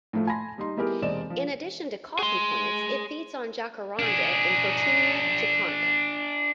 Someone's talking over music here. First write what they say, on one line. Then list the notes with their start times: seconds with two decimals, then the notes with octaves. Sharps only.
In addition to coffee plants it feeds on jacaranda and "Photinia japonica".
0.13 A2 F3 A3
0.27 G#5 A5 B5 C6 A#6
0.58 G3 D#4 C6
0.77 G3 B3 E4 G4 G#4 A#4
1.02 E1 C3 C4 D5 D#5 E7
1.30 F3
2.19 G#4 C6
3.99 D4 G#4